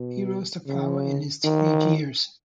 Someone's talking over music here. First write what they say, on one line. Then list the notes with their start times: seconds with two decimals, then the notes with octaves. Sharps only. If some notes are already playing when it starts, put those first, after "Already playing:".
He rose to power in his teenage years.
Already playing: B2
0.67 C#3
1.44 D#3